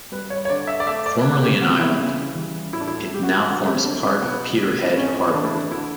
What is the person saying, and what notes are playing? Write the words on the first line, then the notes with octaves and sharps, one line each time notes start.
Formerly an island, it now forms part of Peterhead Harbour.
G3 B4
C#5
C#5
D3 D5
E5
D5
A3 E5
D5
C#3 B4
G4
E3 G3 F#4
E4
C#3
E3 G3
A2 E4
D4
E4
G3 G4
F#4
D3 F#4
G4
F#3 A3 D4
C#4
B2 B3
G3
A2 C#4
E3 A3 D4
E4
D4
D3 E4